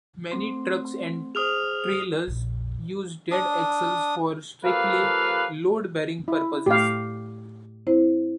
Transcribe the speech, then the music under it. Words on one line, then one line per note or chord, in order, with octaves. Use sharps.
Many trucks and trailers use dead axles for strictly load-bearing purposes.
A3 C4 C6
G#4 C5 D#6 F6 F7
A#1 F2
D4 D#6
F3 A#3 G4 A4 B4 F5
E4
A2 A3 G4 F5
C4 E4 C5